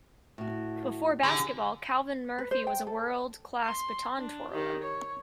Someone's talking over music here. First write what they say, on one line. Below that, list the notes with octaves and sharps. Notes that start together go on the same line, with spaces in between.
Before basketball, Calvin Murphy was a world-class baton twirler.
A2 F#4
D3 G4 G#4
B4
C5
G5
A4
C6
D4
D#3 G4
C#5